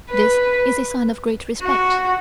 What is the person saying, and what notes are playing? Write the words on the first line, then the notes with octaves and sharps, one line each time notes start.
This is a sign of great respect.
B4
F#4